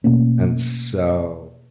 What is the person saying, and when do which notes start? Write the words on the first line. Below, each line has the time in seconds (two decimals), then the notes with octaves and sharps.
And so,
0.04 B2 A3 A#3 C#4